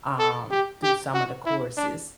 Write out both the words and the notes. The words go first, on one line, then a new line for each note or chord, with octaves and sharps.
um, do some of the courses.
A4
G4
G4
F#4
E4
D4